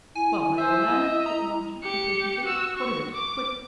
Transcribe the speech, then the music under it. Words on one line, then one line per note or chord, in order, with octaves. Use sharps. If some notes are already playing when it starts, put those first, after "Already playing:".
"Well, my little man," said the master, impatiently, "what is it? quick!"
E4 G#5
C5 E5
D#5
A#5
G4 C#7
F#4 E6
C#6
D6